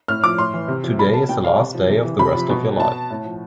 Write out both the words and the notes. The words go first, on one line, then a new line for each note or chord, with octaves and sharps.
Today is the last day of the rest of your life.
A2 F6
F3 D6
A2 C6
E3
C3
F3
B2 B5
A5
B2 G5
F5
C3
F3
C3
E3
C3 B5
F3
B2
B2 A5
A2
F3